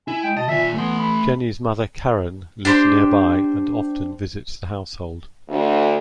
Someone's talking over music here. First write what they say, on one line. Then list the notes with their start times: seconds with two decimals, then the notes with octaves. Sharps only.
Jenny's mother Karen lives nearby and often visits the household.
0.08 E4 G#5
0.24 G#3 G5
0.37 B2 D#5 A5
0.48 D#2 A#2 E5 G#5
0.75 E3 A3 B3 C6
0.99 B5
2.65 D4 G4 A#4 C5
5.49 D2